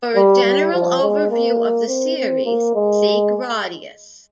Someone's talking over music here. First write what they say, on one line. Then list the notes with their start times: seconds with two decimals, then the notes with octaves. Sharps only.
For a general overview of the series, see "Gradius".
0.16 G3
0.44 G3
0.73 F3
1.02 G#3
1.31 A#3
1.88 C4
2.17 C4
2.45 A#3
2.75 G#3